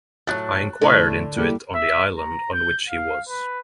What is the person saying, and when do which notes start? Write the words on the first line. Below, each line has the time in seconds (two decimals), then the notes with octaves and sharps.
I inquired into it on the island on which he was.
0.27 A2 F#3 F#6 A6
0.81 A2 D3
1.36 G3 A#3 E4 A4
1.75 E5
2.18 A#5
2.53 G6
2.89 F5
3.29 B4